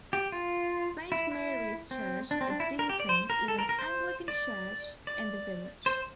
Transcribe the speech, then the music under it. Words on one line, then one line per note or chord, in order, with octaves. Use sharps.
Saint Mary's Church, Addington is an Anglican church in the village.
G4
F4
E4
E4
C4
D4
C4
D4
E4
A#4
G4
D5
C5
A#4
A4
A#4
A#4
C5
D5
D5
C5